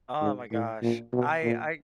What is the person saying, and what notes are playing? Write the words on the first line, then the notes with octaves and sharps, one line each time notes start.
Oh, my gosh. I I
G#2
A2
A#2
B2
A#2